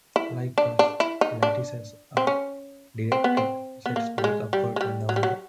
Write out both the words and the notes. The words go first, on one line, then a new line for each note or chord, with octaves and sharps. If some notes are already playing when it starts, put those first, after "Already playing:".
Likewise, lattices are directed sets both upward and downward.
E4
D4
D4
E4
D#4
D4
C4
C#4
C4
B3
C4
B3
A#3
G3
G#3
G3
G#3
G3
F#3
G3
F#3